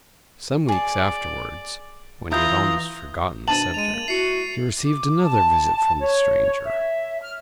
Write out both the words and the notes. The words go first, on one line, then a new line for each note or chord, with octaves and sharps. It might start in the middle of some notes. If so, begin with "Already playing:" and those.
Some weeks afterwards, when he had almost forgotten the subject, he received another visit from the stranger.
G#4 D5 A5
E3 E4 F4 A#5 C6 D#6 G6
B2 D4 A5 A6 D#7 F#7
G#3 D#7 F7
A#3
E4 F#4 C7 C#7
D6
A5
C#5
E5
F6